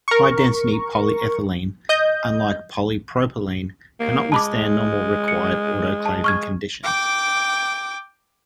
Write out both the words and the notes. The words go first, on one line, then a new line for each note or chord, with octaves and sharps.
High-density polyethylene, unlike polypropylene, cannot withstand normally required autoclaving conditions.
A#4 C#6
D#5 G6
A#3
G#3 A5 B5 D6
C#7
A5
C#6 F6 G#6
G5 D6